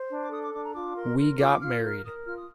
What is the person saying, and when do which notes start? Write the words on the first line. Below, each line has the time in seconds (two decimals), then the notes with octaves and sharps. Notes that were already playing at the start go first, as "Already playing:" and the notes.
We got married.
Already playing: C5
0.10 D4
0.23 D6
0.32 A4 D#6
0.43 D6
0.54 D4 D6
0.65 A#5
0.75 F4 D6
0.96 A#4 C6
1.18 A#4 C6
1.40 F4 D6
1.62 F4 F6
1.83 A#4 F6
2.05 A#4 D#6
2.26 F4 F6
2.37 D#6